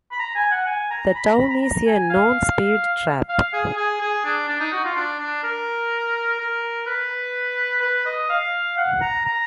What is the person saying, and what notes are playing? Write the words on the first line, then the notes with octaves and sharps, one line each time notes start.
The town is a known speed trap.
B5
A#5
G#5
F#5
G#5
A#5
B5
A#5
B5
A#5
A#5
G#5
F5
F5
G#4
G#4
G#4
D4
D4
D#4
F#4
F4
D4
D4
A#4
A#4
B4
B4
D#5
F5
F#5
A#5
A#5